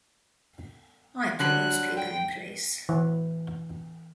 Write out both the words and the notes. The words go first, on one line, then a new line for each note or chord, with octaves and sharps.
I put those people in place.
D3 F#3 G3 F#6
G5
E3